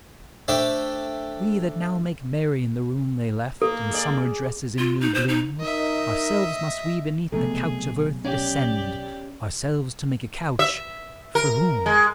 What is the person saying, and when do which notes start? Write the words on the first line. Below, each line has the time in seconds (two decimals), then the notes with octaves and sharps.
And we, that now make merry in the Room They left, and Summer dresses in new Bloom, Ourselves must we beneath the Couch of Earth Descend, ourselves to make a Couch--for whom?
0.48 A3 D4 G4 C5 D5 E5
3.62 A#3 A4
3.91 G#4 D5
4.78 F4
5.01 D#4
5.14 C5
5.28 D#4
5.60 D#4 A#4 D#5 E5
7.32 B1 C3 F3 A3 B3 G#4 A4
8.25 C#4 G4 D5
10.59 E5
11.35 A#4
11.86 G#3